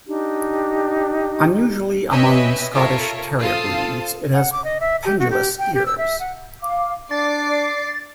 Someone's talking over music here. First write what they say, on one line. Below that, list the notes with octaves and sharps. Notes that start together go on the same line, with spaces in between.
Unusually among Scottish terrier breeds, it has pendulous ears.
D4 D#4 G4
B4 C#5 D#5 E5 G5 G#5
F4 A4 A#4 C#5 E5
F4 A4 C5 F5 A5 D#6
F#5
D6
D#5
E5
G4
F#4
G4
G5
G4
E6
E5
F#5
F5 D6
D4 D5 D6 A6 C7